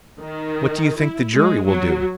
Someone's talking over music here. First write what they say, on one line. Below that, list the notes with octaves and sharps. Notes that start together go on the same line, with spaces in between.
"What do you think the jury will do?"
D#3
E4
G#3
F#3